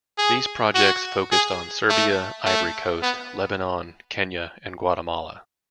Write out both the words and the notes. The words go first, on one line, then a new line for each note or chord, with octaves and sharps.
These projects focused on Serbia, Ivory Coast, Lebanon, Kenya and Guatemala.
G#4
F#4
G#4
A3
A3
B3